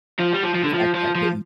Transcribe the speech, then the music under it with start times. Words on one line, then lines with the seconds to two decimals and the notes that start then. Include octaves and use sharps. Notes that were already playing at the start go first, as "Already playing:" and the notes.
the fact that they
0.20 F3
0.34 G3
0.44 F3
0.55 F3
0.64 D3
0.74 F3
0.95 F3
1.15 F3